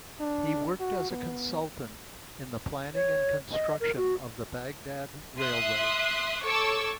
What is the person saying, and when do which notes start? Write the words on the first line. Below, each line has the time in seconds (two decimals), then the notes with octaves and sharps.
He worked as a consultant in the planning and construction of the Baghdad Railway.
0.20 D4
0.80 F#4
1.10 B3
2.95 C#5
3.52 D#5
3.80 A#4
3.97 F#4
5.40 E5 C6 D#6 F#6
6.44 A4 C#5 A5 C#6 D6 E6